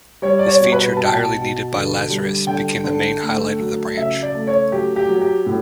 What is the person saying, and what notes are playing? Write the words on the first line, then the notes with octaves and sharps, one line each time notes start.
This feature, direly needed by Lazarus, became the main highlight of the branch.
G3 C#5
D5
C#5
B2
B4
B2 A5
G5
A5
B2
D3
G3
D3 G5
D3
A3
F#3
C#3 E5
D5
A3
C#5
F#3 G4
G4
F#3
G4
A2